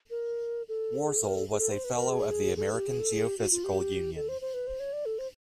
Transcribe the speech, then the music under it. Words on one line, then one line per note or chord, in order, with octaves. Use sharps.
Worzel was a fellow of the American Geophysical Union.
A#4
A4
G#4
A4
A#4
A4
G#4
A4
C5
B4
A#4
G#4
G#4
A4
G4
G#4
A4
G#4
G4
F#4
F4
G4
A4
C5
C5
B4
C5
C#5
D5
A4
C5